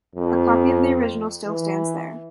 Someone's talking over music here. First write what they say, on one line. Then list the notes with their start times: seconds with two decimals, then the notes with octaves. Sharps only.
A copy of the original still stands there.
0.15 F2
1.45 E3